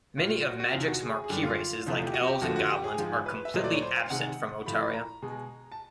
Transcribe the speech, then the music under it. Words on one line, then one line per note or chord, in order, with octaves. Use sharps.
Many of Magic's marquee races like Elves and Goblins are completely absent from Otaria.
A#2 G3 F4
F#4
F#4
E2 C3 D#3 F4
F#4
G#4
G#4
F#2 D3 G3 G4
F4
E2 C3 F3 A3
G4
F#4
G4
F2 D3 F3 A3 F#4
F#4
G4
G#4
G#2 F3 G#3
B4
E5
A#2 F#3 A3 D#5
D5
C#5
C5
F5
C3 D#3 G#3 F#5
A2 F3 A3 B5
A#5
B2 G#3
A5